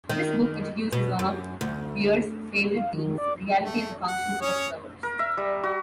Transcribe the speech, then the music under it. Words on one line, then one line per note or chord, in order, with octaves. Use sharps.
This book introduces one of Bear's favorite themes: reality as a function of observers.
D#3
B2
F#2
D2
F5
D#3
D5
A3
F#5
C#4 C#5 D#6
A#4
E5
G3
F#4